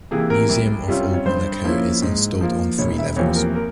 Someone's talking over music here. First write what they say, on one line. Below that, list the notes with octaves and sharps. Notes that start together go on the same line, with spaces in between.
Museum of Old Monaco is installed on three levels.
C3 E3 A#3 G#4
A#4
C2
C3 G3 C#4 F4
C#5
G2 C5
F3 A#3 C#4 E4
G#2
F3 A#3
E1 C#5
E5
E2 C3 F3 A#3 C#5
A#4
A#4